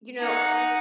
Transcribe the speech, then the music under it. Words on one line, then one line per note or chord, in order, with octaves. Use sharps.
you know, I
D#4 F#5